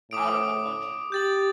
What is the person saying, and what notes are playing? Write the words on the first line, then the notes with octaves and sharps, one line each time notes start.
out of the country.
A2 D6 D#6 D7
G4 G6 A6 F#7